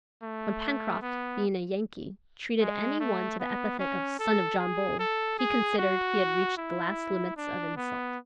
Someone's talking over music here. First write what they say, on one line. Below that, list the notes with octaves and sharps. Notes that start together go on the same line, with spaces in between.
When Pencroft, being a Yankee, treated any one to the epithet of "son of John Bull," he considered he had reached the last limits of insult.
A3
B3
G#3
A3
B3
C#4
A4
G#4
A4
G#4
F#4
E4
D4
B3